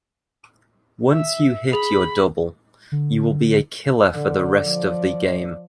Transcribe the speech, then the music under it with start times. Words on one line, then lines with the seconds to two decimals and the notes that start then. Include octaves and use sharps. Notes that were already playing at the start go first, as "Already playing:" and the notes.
Once you hit your double, you will be “a killer” for the rest of the game.
1.09 E5
1.73 G#4 B5
2.92 D3
4.12 D3 D5
4.66 F3